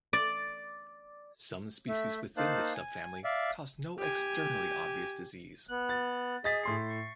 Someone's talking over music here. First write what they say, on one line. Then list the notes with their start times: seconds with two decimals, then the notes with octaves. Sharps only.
Some species within this subfamily cause no externally obvious disease.
0.13 D5
1.88 A3 E5
2.37 A#3 D#4 C5 F5 A5 F#6
2.75 G#5
3.24 D5 E5 F5
3.99 G4 G#5
5.68 B3 F#6
5.89 A6
6.44 G#4 D#5 A6 B6
6.64 A2 C6 C7
6.89 C#6